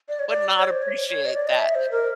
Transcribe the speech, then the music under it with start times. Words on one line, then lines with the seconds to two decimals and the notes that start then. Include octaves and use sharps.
would not appreciate that,
0.09 D5
0.19 C#5
0.29 D5
0.59 C#5
0.70 C5
0.82 C#5
1.09 C#5
1.26 D#5
1.34 D5
1.47 D#5
1.58 E5
1.75 C5
1.92 A#4